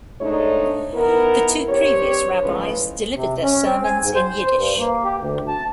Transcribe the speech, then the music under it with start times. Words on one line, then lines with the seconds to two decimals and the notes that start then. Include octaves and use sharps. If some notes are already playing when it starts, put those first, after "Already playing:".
The two previous rabbis delivered their sermons in Yiddish.
0.20 G#2 G#3 A3 D4 D#4 C#5
0.94 D#3 B3 E4 A#4
1.70 G2 C4 G4 C#5
2.44 E2 A2 C#3 F3 G#3 B4
3.14 C3
3.43 C#4
3.65 C4
3.85 G#5
4.01 G#2
4.15 C5
4.55 G2
4.79 A#3
5.04 G4
5.17 D2
5.48 A5